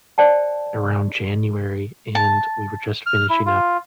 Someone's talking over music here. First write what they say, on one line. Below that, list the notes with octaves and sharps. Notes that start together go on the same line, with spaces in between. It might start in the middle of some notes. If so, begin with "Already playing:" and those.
around January, and we were just finishing up,
C5 D5 G5 A5
A5
F6
E4
F4